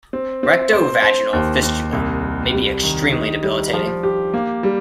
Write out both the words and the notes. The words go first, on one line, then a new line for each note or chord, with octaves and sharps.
Rectovaginal fistula may be extremely debilitating.
C4
C4
C5
C5
D#2
D#2
C2
C2
G3
D#3
D#4
G3
F3
G4
A#3
G3